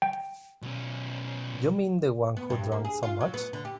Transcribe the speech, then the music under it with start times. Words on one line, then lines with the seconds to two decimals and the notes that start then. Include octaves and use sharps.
You mean the one who drank so much?
0.02 G5
0.62 B1 C#4
2.37 B3
2.50 G2
2.72 A#3
2.85 G#4
3.03 F4
3.21 F#3
3.34 B3
3.53 D3
3.65 G4